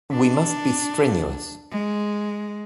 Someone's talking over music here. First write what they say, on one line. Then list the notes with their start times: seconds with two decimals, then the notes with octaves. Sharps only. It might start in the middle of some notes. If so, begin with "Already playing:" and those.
We must be strenuous.
0.12 D4
1.71 G#3